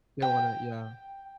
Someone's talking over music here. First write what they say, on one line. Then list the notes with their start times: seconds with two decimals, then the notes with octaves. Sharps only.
they wanna yeah.
0.22 G5